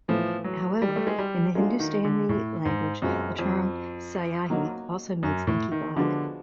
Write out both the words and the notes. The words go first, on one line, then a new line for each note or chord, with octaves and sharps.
However, in the Hindustani language, the term "syahi" also means "inky black".
A2 E3 F3 A3
F#3
G3
A3
G#3
G3
F#3 G#3 A3 D4 F4
D#3
D3
A2
G#2
F#2 B2 G#3 C4 F4
F2
F#3 A#3 D#4 F#4
F#2
A2
D#3
D3 F3 G#3 B3 D4 F#4